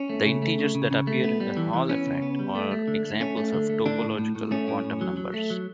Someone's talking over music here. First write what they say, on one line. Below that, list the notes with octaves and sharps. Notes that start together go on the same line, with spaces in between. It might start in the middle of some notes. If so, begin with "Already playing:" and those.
The integers that appear in the Hall effect are examples of topological quantum numbers.
Already playing: C#4
A3
C#3
A3
C#3
C#3
C#3
A3
B3
G3
E3
E3
B3 C#4
C#3
B3
G3
A3
A3
D3
A3
A3 C#4
A3
D3
A3
A2 D3 D4
A2
A2
A2
A3 C#4
A2
A2
F#3
F#3
A3
F#3